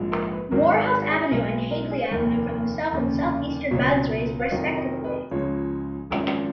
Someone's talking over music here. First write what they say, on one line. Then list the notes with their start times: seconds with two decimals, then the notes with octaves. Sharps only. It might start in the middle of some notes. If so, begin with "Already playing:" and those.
Moorhouse Avenue and Hagley Avenue form the south and south-eastern boundaries, respectively.
Already playing: A#1 G#2 F3 G#3
0.12 A#4
0.32 B4
0.51 G#1 G#2 D#3 F#3 A#4
0.72 A#4
0.92 G#4
1.12 G#4
1.31 B1 B2 G#3 A#4
1.52 B4
1.71 A#4
1.91 G#4
2.11 F1 D#2 D#3 A#4
2.92 F1 D#2 C#3
3.71 C#2 B2 F#3 C#5
4.40 F5
4.51 F1 F2 D#3 F#3 D#5
4.78 D#5
5.04 B4
5.31 C#2 C#3 F3 G#3 C#5
6.10 G#1 F#2 F3 G#3